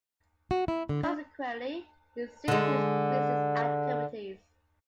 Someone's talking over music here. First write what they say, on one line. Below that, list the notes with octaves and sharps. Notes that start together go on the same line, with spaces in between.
Consequently, he ceased his business activities.
F#4
E4
D3
D4
D3 G#3